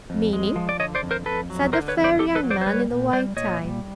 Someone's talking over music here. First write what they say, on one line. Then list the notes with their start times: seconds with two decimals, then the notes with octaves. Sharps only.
"Meanin'?" said the fair young man in the white tie.
0.10 F2
0.33 G#3
0.56 F3
0.69 D5
0.80 D3 C#5 D#5
0.95 C5 D5
1.03 F2
1.11 A#4 C5
1.26 F2 A4 B4
1.50 F#3
1.73 D3 A#4 C5
1.88 B4 C#5
1.96 F2
2.04 C5 D5
2.19 F2 G4 A4
2.35 A4 B4
2.43 F#3
2.50 C5 D5
2.61 C5
2.66 G3 B4 C#5
2.90 A#2
3.13 G3 C5 D5
3.37 A#2 C#5 D#5
3.60 G3